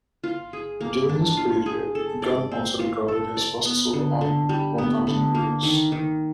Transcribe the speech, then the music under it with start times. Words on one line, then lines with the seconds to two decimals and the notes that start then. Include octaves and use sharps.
During this period Gunn also recorded his first solo album "One Thousand Years".
0.24 F4
0.53 G#4
0.81 A#3
1.09 D4
1.37 F4
1.66 G#4
1.95 A4
2.22 D5
2.52 C4
2.79 F4
3.08 A4
3.37 D5
3.65 B3
3.93 D3
4.21 D3
4.49 G3
4.78 B3
5.07 D3
5.35 A#3
5.63 D#3
5.92 D#3